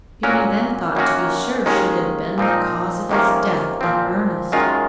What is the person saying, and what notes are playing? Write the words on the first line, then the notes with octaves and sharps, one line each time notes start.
Beauty then thought to be sure she had been the cause of his death in earnest.
A#2 F#3 C#4 F#4 A#4
F#2 D#3 A#3 C#4 F#4
D#2 D#3 G#3 C#4
A#2 F3 C4 D#4
F2 C3 D#3 A#3 C#4
A#2 F3 C4
F#2 D#3 G#3 C#4 F4